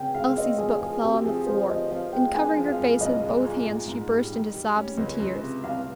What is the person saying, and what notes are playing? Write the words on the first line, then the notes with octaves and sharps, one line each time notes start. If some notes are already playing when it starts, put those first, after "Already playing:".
Elsie's book fell on the floor, and, covering her face with both hands, she burst into sobs and tears.
Already playing: C#3 C#4 G5
G#3 F5
C4 D#5
F3 G#4
F3 G#4
C4 G4
G4
F3 G#4
F3 C5
F3 D#5
F3 F5
G#3 G5
G#3 G#5
F3
F5
G2
C2 D#5
G#3
A#2
G#2
G#2
G3
D#3
G3
C#4
C#2
C#2
C3
C2 F5